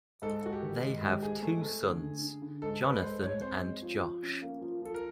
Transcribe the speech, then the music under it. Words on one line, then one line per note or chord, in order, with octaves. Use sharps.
They have two sons, Jonathan and Josh.
G#2 A4
G#2 F#4
G4
D#3
G#3
G#2 G4
G#2 G#4
A3
A3
D3
D3
D3
D3
G#2 A4
G#3 B4
G#3 C5
G#2 C#5
C4 C5
G#3
F3
F3
C#4
A#3
F3
F3 A4
A#4